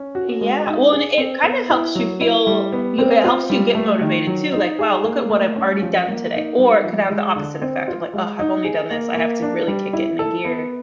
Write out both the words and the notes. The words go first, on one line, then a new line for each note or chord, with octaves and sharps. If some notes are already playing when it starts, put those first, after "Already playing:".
Yeah, well and it kinda helps you feel, you it helps you get motivated too, like, "Wow, look at what I've already done today." Or, it could have the opposite effect of like, "Ugh, I've only done this, I have to really kick it in a gear."
Already playing: C#4
F#4
G#3
D#4
G#4
C4
B3
E4
F#3
E4
G3
B3
C4
F4
G3
A3
D#3
F#3
D#4
G#4
A#3
A3
C#4
F3
A#3
D#4
G3
F3
G#3
D3
C4
F4
G#3
D#4
G#4
A#3
A#3
D4
G3
E4
A4
B3